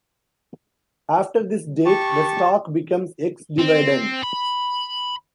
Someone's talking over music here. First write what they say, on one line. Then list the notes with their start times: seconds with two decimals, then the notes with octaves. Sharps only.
After this date the stock becomes "ex dividend".
1.86 G4 A5 C#6
3.59 C4
4.23 B5